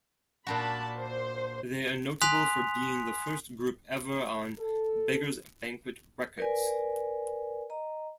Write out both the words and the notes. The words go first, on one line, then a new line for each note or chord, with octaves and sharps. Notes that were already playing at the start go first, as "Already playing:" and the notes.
They are notable for being the first group ever on Beggars Banquet Records.
A#2 D4 F#4 A5 B5
C5
G#5 C6 D#6 F#6 B6 F7
A4
A#4 B4 D5 G#5
D#5 A#5